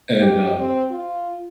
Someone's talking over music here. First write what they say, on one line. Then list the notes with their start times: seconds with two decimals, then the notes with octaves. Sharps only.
And, um
0.21 G4
0.59 C4
0.91 F4